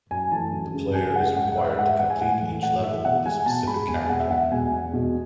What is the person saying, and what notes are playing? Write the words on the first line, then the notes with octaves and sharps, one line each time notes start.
The player is required to complete each level with a specific character.
F#2 G#5
E3 A3 A5
F#2
C#3 G#3
F#2 G#5
C#3 G#3 F#5
G#2 F#5
F#5
G#3 E5
E5
G#2 F#5
G#3 F#5
G#5
A2 F#5
E3 A3
A2 F#5
E3 A3 E5
B2 F#5
G#3 G#5
B2 A5
G#3 B5
E2 G#5
B2 G#3 F#5
E5
E2 F#5
B2 G#3 G#5
E2
B2 G#3